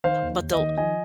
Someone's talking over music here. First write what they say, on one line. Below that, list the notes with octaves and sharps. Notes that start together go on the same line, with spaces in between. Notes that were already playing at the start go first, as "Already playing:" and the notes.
but, they'll
D#3 C5 F5
D#2
D#2
D#5
D#3
F3 D#5 G#5